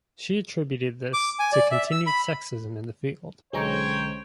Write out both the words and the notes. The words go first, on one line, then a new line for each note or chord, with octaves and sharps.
She attributed this to continued sexism in the field.
D6
G#5
D5
E5
E6
B5
B1 D3 G#3 C#4 C5 C#5 G5 A#5